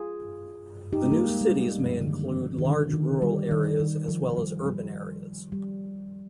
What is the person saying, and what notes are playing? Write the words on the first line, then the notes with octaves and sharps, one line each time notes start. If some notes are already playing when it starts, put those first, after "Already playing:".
The new "cities" may include large rural areas as well as urban areas.
Already playing: F4 G#4
D#4 G4
G#3
G3 A#3
G#3
G#3
G3
F3
D3
D#3
F3
D#3
D3
D#3
G3
D#3
D#3
F3
G3
G3
G3